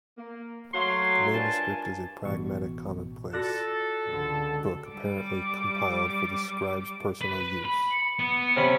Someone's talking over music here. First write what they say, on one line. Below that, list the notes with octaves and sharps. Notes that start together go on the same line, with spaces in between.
The manuscript is a pragmatic commonplace book apparently compiled for the scribe's personal use.
A#3
F#3 A3 F5 C6
G2 D4 F4 A#4 G#5 A5
A1 B2 C#6
F4 F#4 A4 D5 F#6 A#6
C#2 D3
G3 D6
B4
B5
C#7
B3
C3 C#4 B5